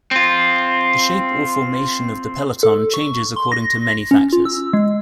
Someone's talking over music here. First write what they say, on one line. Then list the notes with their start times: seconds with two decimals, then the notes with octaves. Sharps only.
The shape or formation of the peloton changes according to many factors.
0.11 C4 F4
2.63 A4
2.94 C#6
3.36 C6
3.52 A#6
4.11 C#4
4.33 F4
4.45 E6
4.74 G#3